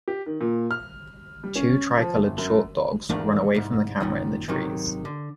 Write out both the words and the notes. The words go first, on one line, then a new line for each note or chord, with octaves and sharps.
Two tricolored short dogs run away from the camera in the trees.
G4
D#3
A#2
F6
G3
C#4
F3
G1
F#2
E2 G#2 A3 A#3 D4
C2 G#2
F#2 A#2 D#3
G#2 C3 D#3 F#3
D3